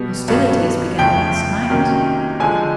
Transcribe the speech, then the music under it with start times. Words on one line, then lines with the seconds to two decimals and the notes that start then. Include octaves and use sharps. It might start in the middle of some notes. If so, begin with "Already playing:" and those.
"Hostilities began last night."
Already playing: B2 G3 B3
0.28 G2 D#3 F#3 B3
0.99 F2 C#3 F3 A3 G5
1.70 C3 D#3 F#3 A#3 C#4
2.40 D3 F3 G#3 G#5